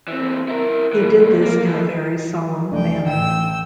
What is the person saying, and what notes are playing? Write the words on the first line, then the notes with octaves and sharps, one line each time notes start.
He did this in a very solemn manner.
E3 C4
E4 A#4
A#2 E3
C#2 A#2
A#3
E3 F3
F1 G#3 A3 D4 G5
A1 E3 G5 E6